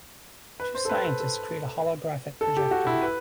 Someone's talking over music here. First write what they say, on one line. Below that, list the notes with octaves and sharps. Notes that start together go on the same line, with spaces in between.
Two scientists create a holographic projector.
B4
C5
A4
B4
A4
A4
A4
G4
F#4
E4
B4